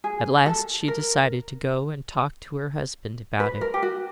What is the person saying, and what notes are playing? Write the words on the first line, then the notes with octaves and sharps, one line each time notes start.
At last she decided to go and talk to her husband about it.
G#4
A4
A#4
B4
A#4
G4
F#4